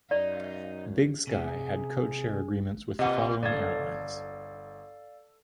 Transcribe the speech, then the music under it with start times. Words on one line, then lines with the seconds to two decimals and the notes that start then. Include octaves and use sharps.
Big Sky had code share agreements with the following airlines.
0.11 F#2 D#4 D5
1.27 C3 G#4
2.99 A2 C3 B4 D#5 F#5
3.43 G1 A4 D5 F5 G#6